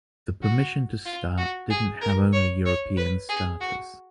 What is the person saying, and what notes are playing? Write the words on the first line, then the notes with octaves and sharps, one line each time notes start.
The permission to start didn't have only European starters.
F#4
F4
F#4
G#4
A#4
C#5
C#5
B4
G#4
F#4